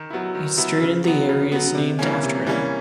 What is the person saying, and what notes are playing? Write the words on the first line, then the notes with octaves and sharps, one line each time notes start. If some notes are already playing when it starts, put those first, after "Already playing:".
A street in the area is named after him.
Already playing: D#3
F#3 B3 E4
D#3
F#3 B3 E4
C#3
F#3 B3
C#3
F#3 B3
C3
E3 G3 A#3 C#4
C3
E3 G3 A#3 C#4